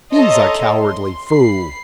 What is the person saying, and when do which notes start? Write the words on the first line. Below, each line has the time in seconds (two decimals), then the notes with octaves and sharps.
"He's a cowardly fool!"
0.14 A4 C#5 D#5 E5 A#5 C6
0.76 C6
1.29 B5 C7